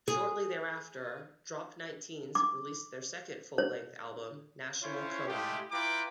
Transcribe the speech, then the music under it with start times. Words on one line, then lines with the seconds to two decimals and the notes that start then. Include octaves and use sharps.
Shortly thereafter, Drop Nineteens released their second full-length album, "National Coma".
0.08 G#4
2.35 D6
3.58 C#5
4.82 C#4 E4 F4 C5 C#5
5.27 G#3 A3 E4 F4 G4
5.71 E4 F4 B4 G5 A#5 D6